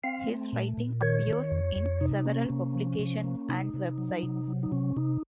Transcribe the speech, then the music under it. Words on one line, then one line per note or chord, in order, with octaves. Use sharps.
His writing appears in several publications and websites.
C4 F5
A3
A#2
A#2
D#3 C#5
D#3
F2
F2
C3 D#4
A#3 C#4
C3
F3
C3
A#3
C3 D#4
C3
F#3
C3
F#3
D#4
C3 C#4
C3 D#4